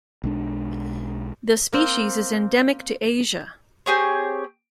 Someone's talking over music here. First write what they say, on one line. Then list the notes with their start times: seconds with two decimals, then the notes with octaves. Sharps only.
The species is endemic to Asia.
0.24 B1 G#3 D4
1.73 A#3 C4
3.86 C4 G4 G#4 C#5